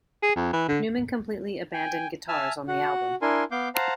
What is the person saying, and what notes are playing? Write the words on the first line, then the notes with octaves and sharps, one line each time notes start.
Numan completely abandoned guitars on the album.
G#4
F2
E3
D3
G5 G#5
E5 G#5 A5 E6 F6
F#4 F#5
D4 E4 A#4 G#5 C6
B3 F5 D6 G6
C5 F5 F#5 A5 A#5